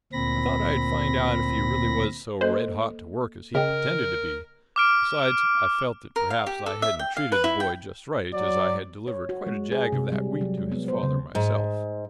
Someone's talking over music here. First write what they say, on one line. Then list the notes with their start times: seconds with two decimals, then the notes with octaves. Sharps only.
I thought I'd find out if he really was so red-hot to work as he pretended to be; besides, I felt that perhaps I hadn't treated the boy just right, as I had delivered quite a jag of that wheat to his father myself.
0.13 D2 A#2 C4 B5 A#6
2.41 A#3 A4 C5 D#5
3.55 C#3 A#4 D#5 G5
4.76 D6 F6 D7
6.16 A#4
6.30 F5
6.46 G4
6.66 A4
6.82 E5
6.99 G5
7.17 F5
7.32 B4
7.44 E4
7.60 G5
8.34 F#3 D5
9.08 C#5
9.29 F#4
9.47 G#3
9.72 G#4
9.92 C3
10.12 G3
10.41 F#3
10.58 G#3
10.72 B3
10.88 C5
11.03 C#3
11.35 G#2